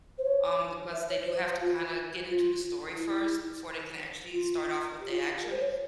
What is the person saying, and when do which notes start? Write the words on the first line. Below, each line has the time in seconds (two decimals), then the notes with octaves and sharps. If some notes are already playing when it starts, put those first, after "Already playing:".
um, because they do have to kinda get into the story first before they can actually start off with the action,
0.18 C5
0.24 C#5
0.92 E5
1.09 C#5
1.26 C5
1.60 F4
2.28 F4
2.96 E4
4.32 F4
5.00 G4
5.10 F4
5.20 G4
5.34 G4
5.42 A#4
5.51 C5
5.59 C#5